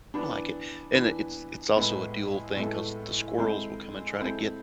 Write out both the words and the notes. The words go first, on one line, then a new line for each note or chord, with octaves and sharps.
I like it, and it it's also a dual thing 'cause the squirrels will come and try to get
E3 B3 D4
E3 B3 D4
A2 G#3 B3 E4 A4
A2 G#3 B3 E4 A4
G#3 C4 E4 A4
G#3 C4 E4 A4